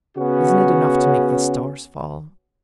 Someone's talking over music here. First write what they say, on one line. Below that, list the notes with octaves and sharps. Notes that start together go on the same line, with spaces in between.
Isn't it enough to make the stars fall!
C#3 B3 C#4 F#4